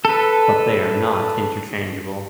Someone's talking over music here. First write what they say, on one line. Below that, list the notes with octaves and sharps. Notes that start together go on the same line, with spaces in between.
But they are not interchangeable.
A4 B4